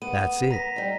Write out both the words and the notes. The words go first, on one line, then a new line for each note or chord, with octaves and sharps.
Dat's it.
B3 D#7
B3 A#5 A#6 B6
G3 D#4